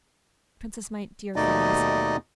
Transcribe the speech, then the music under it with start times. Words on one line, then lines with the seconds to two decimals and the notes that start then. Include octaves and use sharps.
Princess, my dear friend, listen!
1.36 D#2 B2 A3 D#4 D5 D#5